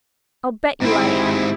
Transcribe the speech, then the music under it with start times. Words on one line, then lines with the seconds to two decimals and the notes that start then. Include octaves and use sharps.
"I'll bet you I am!"
0.82 G#2 C4 E4 G4 G#4